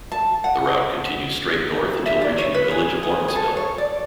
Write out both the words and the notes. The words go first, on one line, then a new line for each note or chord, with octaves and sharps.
The route continues straight north until reaching the village of Lawrenceville.
A5
F#5
E5
D5
C#5
B4
G#4
G#4
G#4
A4
C#5
D5